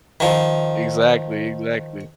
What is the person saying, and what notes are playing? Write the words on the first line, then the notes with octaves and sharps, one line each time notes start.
Exactly exactly,
D#3 F3